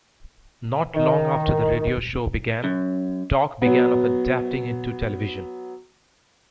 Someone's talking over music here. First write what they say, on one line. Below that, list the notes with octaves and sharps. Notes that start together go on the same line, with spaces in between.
Not long after the radio show began, talk began of adapting it to television.
D#3
F#2
F#3 B3